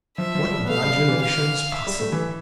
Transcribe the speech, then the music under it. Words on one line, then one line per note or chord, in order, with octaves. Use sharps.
What modulations possible!
F3 E5
F3
G3
B3
A3 F5
G3
G3
E3
F5
E5
G3
A3
E3